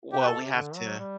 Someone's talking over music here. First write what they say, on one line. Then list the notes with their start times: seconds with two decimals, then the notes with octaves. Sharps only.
Well, we have to
0.12 C3 G4
0.21 B4
0.26 B2 A4
0.40 C3
0.56 D3
0.76 F#3
0.99 G3